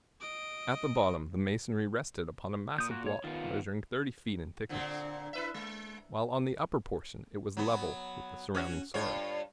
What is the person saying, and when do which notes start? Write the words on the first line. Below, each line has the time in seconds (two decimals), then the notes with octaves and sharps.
At the bottom the masonry rested upon a massive block measuring thirty feet in thickness, while on the upper portion it was level with the surrounding soil.
0.20 D#5 D7
2.78 A#2 D#6 G6
2.91 F#4
3.06 C#5
3.24 D#3 B3 F4
4.69 A#2 D3 C4
5.33 E4 B4 E5
5.54 G#3
7.57 F#3 B3
8.55 C#4 F#4
8.94 G2 F4 C#5